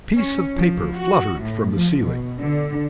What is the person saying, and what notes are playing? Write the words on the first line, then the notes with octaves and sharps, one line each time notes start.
A piece of paper fluttered from the ceiling.
C#4
F3
F#4
A2
F3
B2
D3